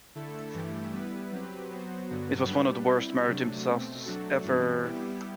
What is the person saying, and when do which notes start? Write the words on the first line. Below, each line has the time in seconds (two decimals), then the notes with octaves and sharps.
It was one of the worst maritime disasters ever.
0.15 D3 A3 E4 A4
0.54 G2 E3 A3 E4 G4
0.93 G3 B3 E4 B4
1.32 F#3 C4 G4 B4
1.71 F#3 B3 F#4 C5
2.10 G2 D3 F#3 B3 F#4
2.49 G3 B3 D4 G4 B4
2.88 G3 C4 E4
3.27 C3 F#3 A3 D4
3.66 B2 A3 C4
4.05 F#3 A3 D4 F#4 A4
4.44 G2 E3 G3 C4
4.83 G3 B3 E4 G4